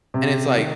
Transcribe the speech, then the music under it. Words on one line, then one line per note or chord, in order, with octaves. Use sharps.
And it's like,
C3
D#3